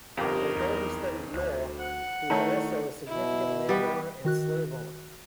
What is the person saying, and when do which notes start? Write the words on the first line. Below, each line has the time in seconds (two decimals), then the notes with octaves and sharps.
Although he studied law, he was also a significant landowner and slave owner.
0.17 G1 F2 D#4 G4 A#4 F5
0.57 E2
1.34 D2 C5
1.79 C5 F#5
2.30 D#3 A3 E4 C#5 A5 A#5
3.07 B2 E4
3.69 G3 B3
4.25 D#3 F#4 F#6